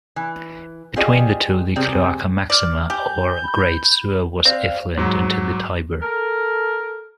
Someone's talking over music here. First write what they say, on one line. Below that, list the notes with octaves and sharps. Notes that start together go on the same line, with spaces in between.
Between the two, the Cloaca Maxima, or Great Sewer, was effluent into the Tiber.
E3
F4 G4 G#4 C5 D5 D#5
C3 G3 C4 G#4
D5 D6 F6
G4 G#5 G6
B5
C4 C5 D5 F5
G#2 F#3
A4 A#4